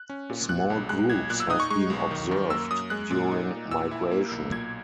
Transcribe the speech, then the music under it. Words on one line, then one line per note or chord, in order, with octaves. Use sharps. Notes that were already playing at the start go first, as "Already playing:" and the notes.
Small groups have been observed during migration.
Already playing: F#6
C#4
A#2
A#2 F#6
B1
G#3 F#6
B1 G#6
A#2 F#6
E6
D#4 D#6
C#6
G#3 C#6
B1
D#3
F#2
A#3 E6
F#2 D#6
G#3 F#6
A#2
D#4
A#2
A#2 E6
E4
A#3
B1
A#2 G#6